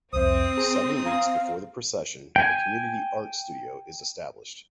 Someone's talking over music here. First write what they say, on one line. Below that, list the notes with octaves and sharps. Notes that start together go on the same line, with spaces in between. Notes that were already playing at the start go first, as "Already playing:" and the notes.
Seven weeks before the Procession, a community art studio is established.
C2 F2 C4 C5 E5 D#6
G#4 A#5
F5 G#5 A#5
G5 G#5